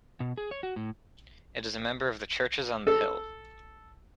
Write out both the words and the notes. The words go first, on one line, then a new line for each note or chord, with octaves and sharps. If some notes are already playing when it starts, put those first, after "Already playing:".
It is a member of the Churches on the Hill.
B2
G#4
C#5
F#4
A2
A4